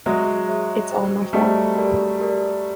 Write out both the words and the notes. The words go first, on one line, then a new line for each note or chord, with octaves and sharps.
It's all my fault.
F#3 G#3 G#4 C#5 E5
G#4 C#5 E5
G#4 C5 D#5 G5
G3 A3 G#4 C5 D#5 G5
G4 A#4 D5
G4 A#4 D5